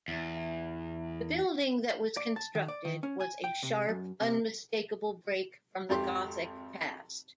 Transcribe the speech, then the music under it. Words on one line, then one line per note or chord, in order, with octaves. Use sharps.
The building that was constructed was a sharp, unmistakable break from the Gothic past.
E2
D5
A5
D#3
D5
D#3
C#4
G#5
G5
C3
F#2
C3
G#1 F2 G4 C6